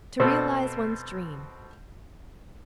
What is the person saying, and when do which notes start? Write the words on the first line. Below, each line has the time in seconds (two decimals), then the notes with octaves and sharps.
To realize one's dream.
0.20 B2 C4 A4